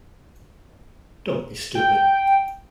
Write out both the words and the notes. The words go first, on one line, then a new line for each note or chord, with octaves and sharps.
Don't be stupid.
G5